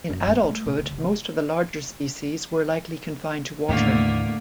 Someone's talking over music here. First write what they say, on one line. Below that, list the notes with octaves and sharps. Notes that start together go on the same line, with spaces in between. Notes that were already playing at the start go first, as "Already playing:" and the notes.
In adulthood, most of the larger species were likely confined to water.
F#2
G2
A3
B2
D2
F1
D#2 A2 D3 E3 A3 A#3